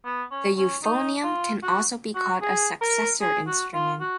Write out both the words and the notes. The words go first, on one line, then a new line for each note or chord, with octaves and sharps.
The euphonium can also be called a successor instrument.
B3
C#4
C#4
D#4
F4
F#4
F#4
G#4
A#4
G#4
F#4
F4
F#4